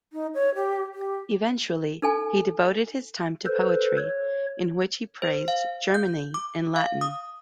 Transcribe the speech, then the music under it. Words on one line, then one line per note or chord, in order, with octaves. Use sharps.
Eventually he devoted his time to poetry, in which he praised Germany in Latin.
D#4
C#5
G4
G4
D#4 A4 G#5
A4 B4 C5
C#5
C5
F5
G6
D6
F5
D#6